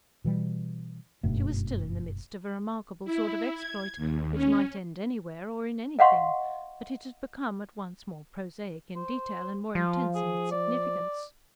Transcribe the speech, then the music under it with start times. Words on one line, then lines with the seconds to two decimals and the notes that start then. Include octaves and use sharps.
She was still in the midst of a remarkable sort of exploit, which might end anywhere or in anything, but it had become at once more prosaic in detail and more intense in its significance.
0.24 B2 E3 G3
1.23 F#1 G2 B2 A3
3.05 E4
3.54 G#6
3.97 D#2
4.33 C#4
5.99 D#5 F5 F#5 C6 C#6
8.96 C5
9.75 F3 F4
10.15 G#4
10.51 D5